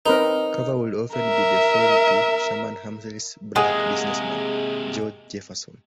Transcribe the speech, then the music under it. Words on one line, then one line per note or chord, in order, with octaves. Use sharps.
Cover would often be the foil to Sherman Hemsley's black businessman, George Jefferson.
C4 D#4 A#4 B4
A#4 E5
C3 G#3 A#3 F#5 G#5 D#6